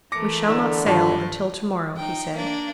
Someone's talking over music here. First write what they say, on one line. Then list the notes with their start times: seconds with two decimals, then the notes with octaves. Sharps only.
"We shall not sail until to-morrow," he said.
0.12 E3 A3 A#4 D6 A#6 C#7
0.48 D3 E4 E6 E7
0.86 G2 D#3 F4 A5
1.96 D#4 G5
2.34 A#3 D4